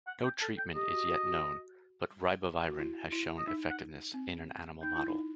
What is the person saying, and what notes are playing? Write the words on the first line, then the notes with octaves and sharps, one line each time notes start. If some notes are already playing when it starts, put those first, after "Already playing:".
No treatment is yet known, but ribavirin has shown effectiveness in an animal model.
F#5
G5
A4 A5
G5
G4 D#5
F#4
F#4
F#4
F#4
E4
E4
D#5
D#4 E5
F#5
C4
D#4 G5
E4
D#4